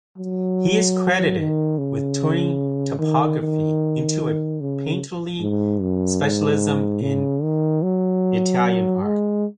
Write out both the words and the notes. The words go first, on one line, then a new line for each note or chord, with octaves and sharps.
He is credited with turning topography into a painterly specialism in Italian art.
F#3
D#3
C#3
D#3
D#3
C#3
G#2
F#2
G#2
C#3
D#3
F#3
G#3